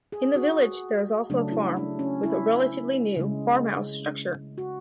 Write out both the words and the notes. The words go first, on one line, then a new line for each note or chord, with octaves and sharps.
In the village there is also a farm, with a relatively new farmhouse structure.
G#4
F#4
C#3 F#3 A3 D4
E4
D4
C#4
E4
C#3 G#3
F#4